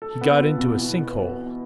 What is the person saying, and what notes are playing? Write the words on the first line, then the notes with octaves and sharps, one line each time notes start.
"He got into a sink-hole."
A4
B3
F4
B2
E3
B3